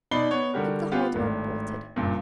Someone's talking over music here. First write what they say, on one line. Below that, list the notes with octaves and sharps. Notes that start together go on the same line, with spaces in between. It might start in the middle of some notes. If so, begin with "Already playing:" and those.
'Keep the hall-door bolted.
B2 D#4 D5 B5 C7 G7
B3 C#5
D3 G3 F#4 G4 A#4
B3 F4 G4
G#1 A2 D4
F#1 G2 A#2